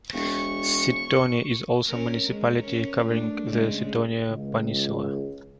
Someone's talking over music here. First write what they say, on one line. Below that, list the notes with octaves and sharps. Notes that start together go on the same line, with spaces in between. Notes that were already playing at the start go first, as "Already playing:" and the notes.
Sithonia is also a municipality, covering the Sithonia peninsula.
E1 C#6
C#4 A#4
G#3
C#4 A#4
A3 D4
C#3 G#3 C#4
C#2